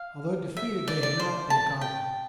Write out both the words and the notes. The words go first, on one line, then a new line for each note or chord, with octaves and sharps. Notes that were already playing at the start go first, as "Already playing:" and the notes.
Although defeated they had not been conquered.
Already playing: F5
E5
D5
D5
C5
A5
G5